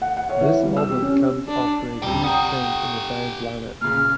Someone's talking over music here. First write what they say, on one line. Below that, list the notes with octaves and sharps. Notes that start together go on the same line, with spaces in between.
This album comes after a huge change in the band's lineup.
F#5
F#5
C#5
E3
G3
E6
G4
C#4
D4
D#1 C3 D5 G5
G4 F#5 G5 A#5 D#6
A#2 C#3 F6